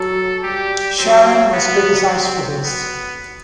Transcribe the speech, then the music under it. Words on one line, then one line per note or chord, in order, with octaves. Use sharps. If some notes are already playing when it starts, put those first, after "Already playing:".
Sharon was criticized for this.
Already playing: F#3 A4
G3 G4
F#3 C4
F#3 B3
C4
B3